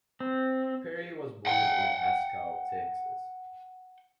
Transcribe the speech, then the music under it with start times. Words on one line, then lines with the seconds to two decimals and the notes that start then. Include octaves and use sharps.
Perry was born in Haskell, Texas.
0.20 C4
1.47 F#5 G5